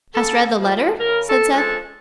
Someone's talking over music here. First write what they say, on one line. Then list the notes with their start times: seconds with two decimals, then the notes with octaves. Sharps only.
"Hast read the letter?" said Seth.
0.14 C#3 A4
0.58 F3 G#3
1.00 C#3 A#4
1.29 A4
1.44 F3 G#3
1.57 A4